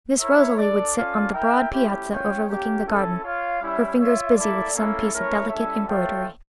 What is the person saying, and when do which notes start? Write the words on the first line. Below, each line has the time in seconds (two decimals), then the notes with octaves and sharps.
Miss Rosalie would sit on the broad piazza overlooking the garden, her fingers busy with some piece of delicate embroidery.
0.19 E4 A#4 C#5 E5
0.57 D4 A4 D5
0.95 C#4 F4 A4 D5 F5
1.33 E4 A#4 E5 G5
1.71 A3 C#4 E4 G4
2.09 C#4 F4 C#5 G5
2.47 A#3 C#4 G4
2.85 C#4 E4 A4
3.22 F4 C#5 F5
3.60 G3 C#4 E4
3.98 F4 C#5 E5
4.36 A#3 E4 A4 D5
4.74 A#3 C#4 E4 A4
5.12 A3 C#4 E4 A#4 C#5
5.50 G3 C#4 E4 A4 E5
5.88 F4 A4 C#5 E5 G5